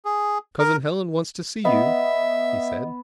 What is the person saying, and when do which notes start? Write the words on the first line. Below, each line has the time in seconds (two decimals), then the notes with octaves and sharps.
"Cousin Helen wants to see you," he said.
0.05 G#4
0.59 A#4
1.65 B3 D#5 E5